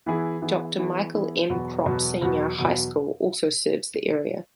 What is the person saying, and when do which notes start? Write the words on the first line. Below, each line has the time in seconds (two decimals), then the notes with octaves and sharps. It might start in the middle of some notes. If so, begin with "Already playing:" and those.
Doctor Michael M. Krop Senior High School also serves the area.
0.06 E3 B3 E4 G#4
0.42 E3 B3 E4 G#4
0.78 E3 B3 E4 G#4
1.13 E3 B3 E4 G#4
1.49 E2 B2 F#3 B3 F#4
1.85 E2 B2 F#3 B3 F#4
2.21 E2 B2 F#3 B3 F#4
2.57 E2 B2 F#3 B3 F#4